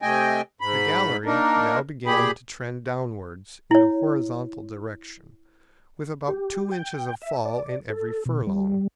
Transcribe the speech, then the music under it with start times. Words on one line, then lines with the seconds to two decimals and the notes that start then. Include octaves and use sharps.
The gallery now began to trend downwards in a horizontal direction, with about two inches of fall in every furlong.
0.02 C3 A3 D#5 G5 G#5
0.61 G#2 B5
1.26 A#3 D4 D#4 A#4
2.06 A#2 G4 G#4 B5
3.71 E4 C#5
6.28 G4
6.71 G5
7.22 E5
7.45 D5
7.90 A4
8.25 B2
8.47 G3